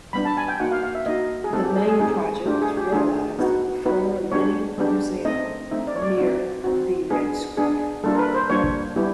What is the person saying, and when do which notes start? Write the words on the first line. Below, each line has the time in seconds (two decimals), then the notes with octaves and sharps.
The main project was realised at the former Lenin Museum, near the Red Square.
0.13 G3 B3 D4 B5
0.25 A5
0.37 G#5
0.48 G5
0.60 A#3 D#4 F#4 F#5
0.72 F5
0.83 F5
0.95 E5
1.06 A#3 D#4 F#4 D#5
1.44 G#4
1.53 A3 C4 D#4 G4 A4
1.65 G4
1.77 G#4
1.88 G#4
1.99 A3 C4 D#4 G4 G#4
2.46 A3 D4 F4 G4
2.62 G#4
2.77 G4
2.92 A3 D4 F4 G#4
3.39 B3 D#4 F#4
3.86 B3 D#4 F#4 B4
4.32 G#3 B3 D4 G4 C#5
4.78 G#3 B3 D4 G4
5.25 A3 C4 D#4 D#5
5.71 A3 C4 D#4 E5
5.87 D5
5.96 C#5
6.02 D5
6.18 C4 D#4 F#4 D5
6.64 C4 D#4 F#4
7.10 G#3 B3 D4 G#4
7.57 G#3 B3 D4 G#4
8.03 G3 A#3 D4 F4 A4
8.15 A#4
8.19 B4
8.34 C5
8.50 G3 A#3 D4 F4 C#5
8.96 G3 B3 E4 G4